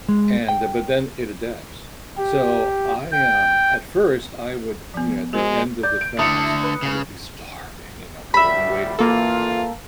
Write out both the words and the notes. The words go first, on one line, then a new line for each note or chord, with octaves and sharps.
and but then it adapts. So I, um at first, I would you know, at the end of the fast, I would be starving, you know, because I've been waiting for
G#3
G5
G4
G5
F3 B3
G#3 F#4 A#4 C5
D5 G6
D7
D3 A3 E4 A5 D#6 C#7 F7
B4
C#3
D2 A2 G3 E5 B5
A1 E3 A#3 F4 A4